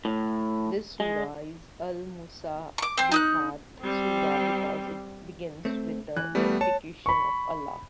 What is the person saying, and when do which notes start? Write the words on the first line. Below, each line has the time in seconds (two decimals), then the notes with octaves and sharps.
This sura is a Al-Musabbihat sura because it begins with the glorification of Allah.
0.05 A2
1.00 G#3
2.78 C#6 D6
2.97 C4 C5
3.12 D#4 D#6 F#6
3.80 G3 C4
5.65 A3 C4
6.17 E3 F#6
6.35 G3 A3 B3
6.61 C#5 A5
7.06 B5 C#6